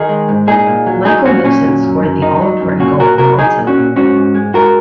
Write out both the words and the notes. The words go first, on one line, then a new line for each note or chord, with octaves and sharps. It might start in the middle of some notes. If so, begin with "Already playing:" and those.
Michael Mifsud scored the all important goal for Malta.
Already playing: D#3 D#4 G#4
G#3
G#2
A#2 D#4 G#4
A#2
F#3
F#3 D#4 G#4
A#2 C#4 F#4
A#2 C#4
F#3
F#2
F#2
D#3 D#4
F#3
F#2
A#2 C#4 F#4
A#2 F#4 A#4
F#3 F#4 A#4
F#3 D#4 G#4
A#2
C#4 F#4
A#2
G#2 C#4 F#4
G#2
G#3
G#3 F#4 A#4